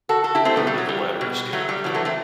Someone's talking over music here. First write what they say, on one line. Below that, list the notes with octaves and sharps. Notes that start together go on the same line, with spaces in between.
Nor did the latter escape.
F#4 A4
F#4 A4
E4 G4
A3 C4
B2 G3 B3
G3
F#3
G3
B2
F#3 A3
G3
A2 E3 F#3
F#3 A3
A3 C4